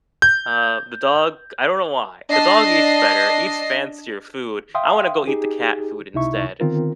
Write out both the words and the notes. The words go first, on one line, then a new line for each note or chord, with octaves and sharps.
Uh, the dog, I don't know why. The dog eats better, eats fancier food. I wanna go eat the cat food instead.
G6
D4 D#5 C7
E5 F5 G5 C6 D#6
D#4 G4 G#4
C#2 C3 D#4 E4 E5 C#6
D3 D#3 B3 C4 F4 A#4